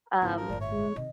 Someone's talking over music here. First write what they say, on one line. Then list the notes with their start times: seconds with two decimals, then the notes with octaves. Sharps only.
um, m
0.22 G#1 C#3 G#3 B3 E4
0.37 F3 A#4
0.49 G1 A2 D5
0.61 C#5 E5
0.96 C3 D#3 D#5